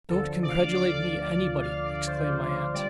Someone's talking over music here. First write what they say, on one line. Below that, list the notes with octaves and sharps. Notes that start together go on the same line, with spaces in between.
'Don't congratulate me, anybody!' exclaimed my aunt.
D2 D3 F3 A4
D5
F5
D5
D5
D5
D5
F5
D5
C5
F5
C3 G3 D5